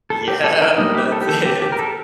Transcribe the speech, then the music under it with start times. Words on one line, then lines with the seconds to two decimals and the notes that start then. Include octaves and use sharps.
Yep, that's it.
0.10 A4
0.28 G4
0.44 A4
0.62 A#4
0.78 G3 A#3 D#4
0.95 G4
1.12 A4
1.21 G4
1.29 A4
1.45 G4
1.62 G4
1.72 A#4
1.79 A4